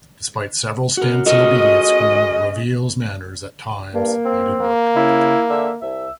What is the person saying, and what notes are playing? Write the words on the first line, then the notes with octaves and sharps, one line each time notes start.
Despite several stints in obedience school, Reveille's manners at times needed work.
F#4 A#4
G#3 C#4 F#4 A4 A#4 D#5
G2 A#3
C4
A#3
C#3 E4
D3 E5
C2 E5